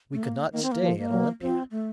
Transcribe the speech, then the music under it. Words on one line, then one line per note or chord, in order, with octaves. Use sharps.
We could not stay at Olympia.
A3
A#3
D#3 A#3
C4
A#3
F3
A#3
F#3
F3 C4
A3